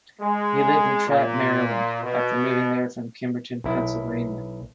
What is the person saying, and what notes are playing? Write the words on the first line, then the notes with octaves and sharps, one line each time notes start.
He lived in Trappe, Maryland, after moving there from Kimberton, Pennsylvania.
G#3
A#2
B2
B1 E4